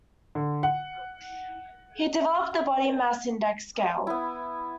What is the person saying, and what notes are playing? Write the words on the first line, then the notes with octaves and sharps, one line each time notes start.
He developed the body mass index scale.
D3
F#5
B3 E4